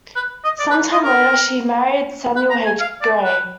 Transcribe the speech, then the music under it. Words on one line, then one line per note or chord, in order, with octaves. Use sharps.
Sometime later, she married Samuel H. Gray.
B4
D#5
D5
B4
D#5
A#4
B4
A#5
G#5
F5
D5
B4